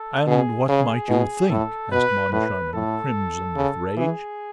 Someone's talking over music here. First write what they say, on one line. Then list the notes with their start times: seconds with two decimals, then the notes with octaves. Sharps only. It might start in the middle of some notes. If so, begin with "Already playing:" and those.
"And what might you think?" asked Moncharmin, crimson with rage.
Already playing: A4
0.27 B2 G#4
0.68 C#3 G#4
1.09 B2
1.50 A2 A4
1.92 B2 B4
2.32 A2 B4
2.73 A2 A4
3.56 C#3
3.97 E3 G#4